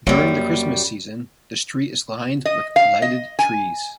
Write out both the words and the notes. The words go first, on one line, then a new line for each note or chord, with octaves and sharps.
During the Christmas season, the street is lined with lighted trees.
F#2 G3 A#3
D#5
F5
D#5
G#5